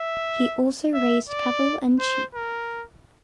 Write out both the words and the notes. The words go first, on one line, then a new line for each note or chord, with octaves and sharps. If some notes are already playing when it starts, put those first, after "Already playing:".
He also raised cattle and sheep.
Already playing: E5
E5
D5
C5
A#4